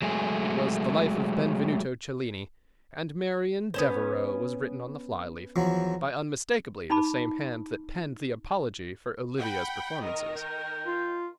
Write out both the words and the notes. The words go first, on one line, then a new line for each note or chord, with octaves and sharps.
It was The Life of Benvenuto Cellini and “Marian Devereux” was written on the fly leaf, by unmistakably the same hand that penned the apology for Olivia’s performances.
F#3 G#3 A3 G#4
B3 C#4 C5
E2 F3 F#3
D#4 A5 B5 D6
F#5 G5 B5
D#3 A#4 D#5
G5
F4